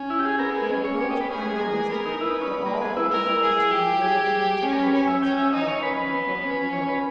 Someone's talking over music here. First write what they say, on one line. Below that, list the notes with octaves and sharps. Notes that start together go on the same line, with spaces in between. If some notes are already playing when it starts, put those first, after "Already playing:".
They approached unnoticed, for all the multitude were looking intently towards the fire at the foot of the oak.
Already playing: C#4
E4
G4
G#4
B3 A#4
G#4
C#4
C#5
G4 C#5
D#5
B4
C#4 G#4
G#3
G#3
A#3
B3 A#4
D#4
E4 B4
D#4
C#4
A#3
G#3
E4
E4 A#4
E4
G#4
G4
G#4
C#4 G#4
A#4
B4
C#4 C#5
E5
C#4 G5
E5
D#4 D#5
C#5
C#4 B4
B4
B3
C#4
C#5
B4